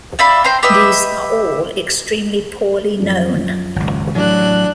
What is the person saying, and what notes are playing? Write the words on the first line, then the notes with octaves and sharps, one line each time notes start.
These are all extremely poorly known.
D5 E5 F5 B5
C5 G5 A#5 C6
G4 B4 D#5 E5
F#2 F3 C#4
G#1 C#2
A1 F#3 D4 F#6